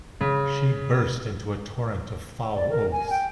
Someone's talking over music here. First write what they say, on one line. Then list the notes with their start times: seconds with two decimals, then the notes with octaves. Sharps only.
She burst into a torrent of foul oaths.
0.21 C#3
2.54 D5
2.70 A#4
2.92 G#5
3.10 G5